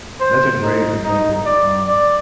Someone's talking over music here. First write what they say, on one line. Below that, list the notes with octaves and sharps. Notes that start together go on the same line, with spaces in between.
That's a great example, um,
C5
D#4
D#4
D5
D5